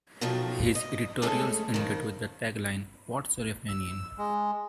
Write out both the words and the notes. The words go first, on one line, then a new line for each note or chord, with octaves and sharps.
His editorials ended with the tagline What's your opinion?
B2 D#3 F3 F#3 A3
D#5
G#3 A3 C#4 G#4 A4
F2 D#3
E6
G#3